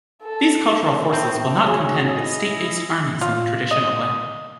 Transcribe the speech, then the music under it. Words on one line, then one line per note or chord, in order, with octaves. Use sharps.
These cultural forces will not contend with state-based armies in the traditional way.
A4
A2 B3 C4 G5
F#4 G#4 C#5 G#5
E4 D#5
F4
D#5